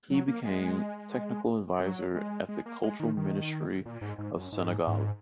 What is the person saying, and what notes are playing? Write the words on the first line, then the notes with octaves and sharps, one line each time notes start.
He became technical advisor at the Cultural Ministry of Senegal.
F#3
A#3
G#3
F#3
G#3
G#3
A#3
G#3
D#3
D#3
A#2
G#2
G#2
F#2
G#2
G#2